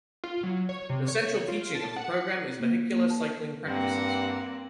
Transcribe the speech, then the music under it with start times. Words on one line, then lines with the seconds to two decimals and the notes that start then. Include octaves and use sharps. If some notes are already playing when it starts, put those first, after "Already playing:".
The central teaching of the program is vehicular cycling practices.
0.24 F4
0.43 F#3
0.69 C#5
0.89 C3
1.08 C#5
1.48 F4
1.75 A5
1.96 F#5
2.60 A#3
2.92 A#3
3.10 A5
3.66 G2 A#3 C4 F#5